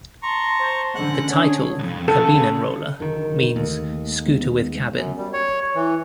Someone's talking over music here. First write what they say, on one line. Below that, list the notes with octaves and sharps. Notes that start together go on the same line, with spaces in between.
The title "Kabinenroller" means "scooter with cabin".
A5 A#5 C6 C#6
C5
D3 C#4 F#5 F#6
D4 G#4 C#5
C2 F2
C#3 A4
F#1 D3 D#3 D#4 A#4
D#2 A3
G#3 B3
F#2
G3
C#5
E3